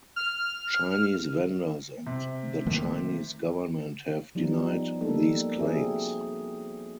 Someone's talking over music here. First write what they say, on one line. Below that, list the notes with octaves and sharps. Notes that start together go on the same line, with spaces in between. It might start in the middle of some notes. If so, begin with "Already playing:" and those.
Chinese vendors and the Chinese government have denied these claims.
F6
C3
D#3 A3 A#3
F3 G3 B3 D#4
G3 A#3 D#4 A4
C4 F#4 G#4 E5